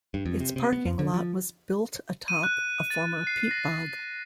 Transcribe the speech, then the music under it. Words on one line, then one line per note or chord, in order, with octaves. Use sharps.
Its parking lot was built atop a former peat bog.
G2
F2
C3
C3
B3
F2
D3
F3
D#7
F#6
A6
C7
A#6